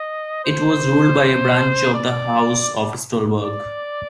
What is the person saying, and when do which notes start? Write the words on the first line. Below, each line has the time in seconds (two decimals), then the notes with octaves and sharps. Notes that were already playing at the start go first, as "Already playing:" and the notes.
It was ruled by a branch of the House of Stolberg.
Already playing: D#5
0.45 C5
1.94 D5
3.43 D5